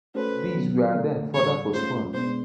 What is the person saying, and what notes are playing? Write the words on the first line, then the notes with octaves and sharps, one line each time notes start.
These were then further postponed.
A3 C#4 F#4 A4 B4 C5
D#3 F#3 B3
D3 F3 A3 D4
A2 E3 G3 C#5
A3 C#4 F4 C5
B2 G#3 B3 D4 C5